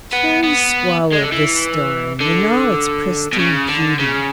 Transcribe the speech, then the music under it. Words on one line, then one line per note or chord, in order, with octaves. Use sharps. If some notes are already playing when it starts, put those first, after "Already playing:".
Carrie swallowed this story in all its pristine beauty.
B3
B3
G#3
D3
E3
D3
B2
C#3
D3
C#3